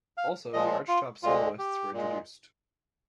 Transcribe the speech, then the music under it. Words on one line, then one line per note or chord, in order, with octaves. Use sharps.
Also, the archtop Soloists were introduced.
F5
A#2 F3 G#3 D#5
F4
D2 D3 G#3 F4
G4
A#2 G#3